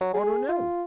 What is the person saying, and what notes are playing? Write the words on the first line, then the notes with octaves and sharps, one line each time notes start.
"I don't know."
F#3
G#4
F4